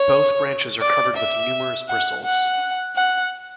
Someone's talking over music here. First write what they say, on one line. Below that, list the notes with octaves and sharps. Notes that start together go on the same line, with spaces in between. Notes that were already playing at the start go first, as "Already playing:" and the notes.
Both branches are covered with numerous bristles.
Already playing: C#5
D5
E5
F#5
F#5
F#5